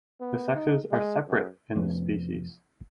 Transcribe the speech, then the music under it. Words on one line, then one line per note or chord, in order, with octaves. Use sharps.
The sexes are separate in this species.
B3
D#4
G#3
F#2
F1 F2 B3 C#4